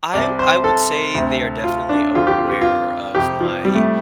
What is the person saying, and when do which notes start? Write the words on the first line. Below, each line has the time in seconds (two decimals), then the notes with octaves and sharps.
I w I would say they are definitely aware of my
0.13 C2 C3 D5
0.39 C5
0.64 A4
1.15 D2 C3
1.64 F4
1.89 D4
2.15 F2 D3 F4
2.27 G4
2.39 F4
2.49 G4
2.61 F4
3.15 F2 C3 G4
3.41 F3
3.65 G3
3.75 A3